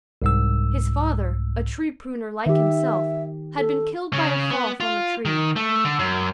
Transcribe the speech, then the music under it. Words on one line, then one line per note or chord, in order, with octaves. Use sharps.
His father, a tree-pruner, like himself, had been killed by a fall from a tree.
C2 G#2 E6
D#3 G4 E5
A4
C#3
B3
F4
D#3
A3
D3
F#2